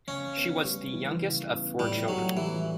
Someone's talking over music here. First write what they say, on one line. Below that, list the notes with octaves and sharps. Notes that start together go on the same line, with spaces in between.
She was the youngest of four children.
C#3 C#4
B3
G3
E3
C#3
B3
A2 G3
A2 F#3
E3 G3